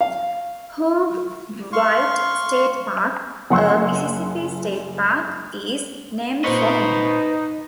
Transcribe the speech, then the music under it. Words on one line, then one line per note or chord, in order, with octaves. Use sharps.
Hugh White State Park, a Mississippi state park, is named for him.
F5
F5 C6 C#6
F#1 F#5 C6 E6
A#2 D#4 B4 C5 D#5 C#6